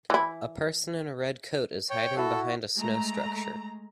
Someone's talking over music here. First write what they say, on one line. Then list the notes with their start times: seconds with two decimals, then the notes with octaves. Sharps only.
A person in a red coat is hiding behind a snow structure.
0.10 E3 E4
1.90 C#5 G5
2.17 E4 F#4 A4
2.76 G#3 A3 A#5